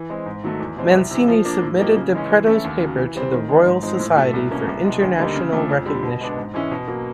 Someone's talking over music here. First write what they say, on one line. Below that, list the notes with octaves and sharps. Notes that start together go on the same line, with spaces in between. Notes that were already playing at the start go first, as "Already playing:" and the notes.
Mancini submitted De Pretto's paper to the Royal Society for international recognition.
Already playing: E3
G#3 C4
G#2
D#3 F#3 A3
E2
B2 G#3 C4
C2
C3 E3
F3
A#3 D4
A2
F3 A#3 D#4 G4
C#3
E3 G#3 C#4
E3
A3 C#4 E4
D#2
C#3 F#3
E3
G3 C4
D#3
G#3 C4
G#2
F3 G#3 C4 D#4
A2
F#3 A3
C2
B2 F#3 A#3 C#4
C2
B2 G#3
D2
D3 G3 A#3 D#4
C#3
F3 A3 D4
F2
D3 G3
B2
G#3 B3 D4
G#2
E3 G#3 C#4 E4
B2
F#3 A#3